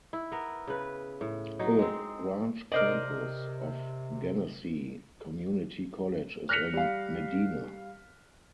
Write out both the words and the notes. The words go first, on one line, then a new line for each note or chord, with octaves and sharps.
A branch campus of Genesee Community College is in Medina.
E4
B3 A#4
C#3 B4
A2
F#3 D#4
G#3 C4
C3 A#4 C5 D5 D#5
F6 F#6 A#6 B6 C#7 F7
G3 F5